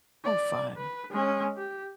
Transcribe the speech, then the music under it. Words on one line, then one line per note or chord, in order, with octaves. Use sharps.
Oh, fun.
D5
B4
G#3 C#4
G4